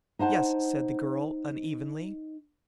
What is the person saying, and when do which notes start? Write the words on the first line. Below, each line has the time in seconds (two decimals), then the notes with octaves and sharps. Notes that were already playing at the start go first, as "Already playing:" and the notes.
"Yes," said the girl unevenly.
0.19 D#4 C5 F#5 A5